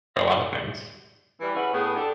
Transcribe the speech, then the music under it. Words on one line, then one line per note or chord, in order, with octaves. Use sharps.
A lotta things.
E3 G3
C#3 E3 C#4 E4 B4 F#5
A2 B3 G#4
D4 G4 A4